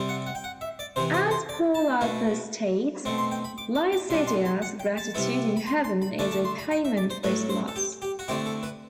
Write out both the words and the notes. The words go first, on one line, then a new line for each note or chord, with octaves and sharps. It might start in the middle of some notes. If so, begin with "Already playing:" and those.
As Paul Alpers states, Lycidias' gratitude in heaven is a payment for his loss.
Already playing: C3 G3 C4
F#5
F#5
G5
F#5
E5
D5
C3 E3 B3 C5
C5
C5
D5
A5
B2 A3 E4
B2 A3 C4
C6
G5
B5
D6
D6
D6
B2 G3 D4 C6
C6
C6
F#5
G5
A5
C3 G3 B3 E4
B5
C6
C6
B5
D3 A3 D4 A5
A5
C6
B5
G5
E5
D5
C5
A2 F#3 A3 B4
C5
A4
G4
G4
F#4
D3 A3 C4 E4 G4
A4
B4